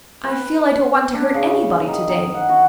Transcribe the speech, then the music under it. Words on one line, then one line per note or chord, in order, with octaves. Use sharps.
"I feel I don't want to hurt anybody to-day."
B4
D4
C#3
D#3
D#3
F#5
F#4